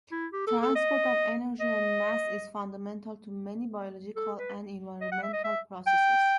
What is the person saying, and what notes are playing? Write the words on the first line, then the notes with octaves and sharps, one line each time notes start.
Transport of energy and mass is fundamental to many biological and environmental processes.
E4
G4
A4
A4
D#5
D#5
A4
B4
D#5
F#5
E5
D#5
E5
G5